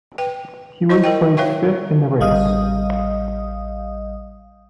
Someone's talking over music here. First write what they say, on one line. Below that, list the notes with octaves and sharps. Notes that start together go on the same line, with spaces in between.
He was placed fifth in the race.
B4 G5
E4 C5 D#5 C#6
A#4 D#5 G5
C#5 E5 F5 G5 C#6
A1 G3 D#5 F5 D#6